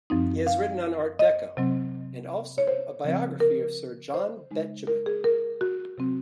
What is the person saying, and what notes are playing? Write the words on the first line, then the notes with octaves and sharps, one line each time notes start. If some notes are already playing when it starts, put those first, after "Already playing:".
He has written on Art Deco, and also a biography of Sir John Betjeman.
F#2 F3 C4 D#4
F5
D#5
C3 F#3 C4
C#5
C5
C#3 F3 C4
A#4
C5
C#3 G#3 D#4
A#4
G#4
A#4
F#4
C3 F#3 C4